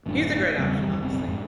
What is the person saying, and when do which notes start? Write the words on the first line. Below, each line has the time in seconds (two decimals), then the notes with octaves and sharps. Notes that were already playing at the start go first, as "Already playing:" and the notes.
He's a great option, honestly.
0.06 G1 F#2 A2 D4
0.58 E2 C#3 G3 C4
0.79 F#1 D#2 E3 G3
1.02 F#1 B1 G3 C4
1.24 F2 G#2